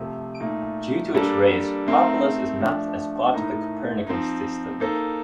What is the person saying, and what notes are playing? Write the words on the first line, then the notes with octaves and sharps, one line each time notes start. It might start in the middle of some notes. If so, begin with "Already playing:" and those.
Due to its rays, Harpalus is mapped as part of the Copernican System.
Already playing: C3 F3 A3
A#2 A3 D#4
G3 A#3 D4 A4
A3 C4 D#4 A#4
F3 A3 D4
A2 A3 D#4 A#4
F3 C4 D#4
A#3 D#4 A4 C5